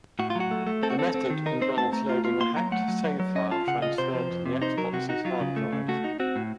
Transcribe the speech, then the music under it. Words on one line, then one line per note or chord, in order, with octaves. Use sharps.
The method involves loading a hacked save file transferred to the Xbox's Hard Drive.
A2 F#4
F4
F#3 F#4
A3
A3
C4 A4
F#4
C4 A4
C4
D#3
D#4 A#4
C4 C5
A3 A5
A3 A#5
F4
F4
A#3 C6
F#3 A#5
A3 F#5
F#3
F#3
F#3
C#4 D#5
F4 A5
C#3 F#5
F4 D#5
C3 C5
F3
F2
C3
D#4 C5
F#3 A#4
C3 F#4
D#4 F#4
F#3 F4
C#3
A3
C#3
A3 F#4
D#4
C4 F#4
A2